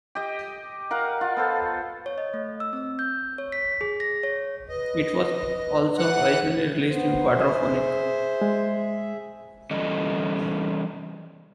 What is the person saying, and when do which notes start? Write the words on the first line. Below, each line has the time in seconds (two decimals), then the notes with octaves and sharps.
It was also originally released in quadrophonic.
0.15 G4 D#5
0.91 A#4 F5 F#5
1.21 F4
1.37 B3 A4 C5
2.06 C#5
2.18 D#5
2.34 A3
2.60 E6
2.73 C4
2.99 G6
3.38 C#5
3.52 B6
3.81 G#4
4.00 A#6
4.23 C#5
4.69 B4 D#5
5.98 E3 F#5 F#6
6.91 B3 C5
7.34 G#4 E5
8.42 G#3
9.71 E3 G3 C#4 A4 D#5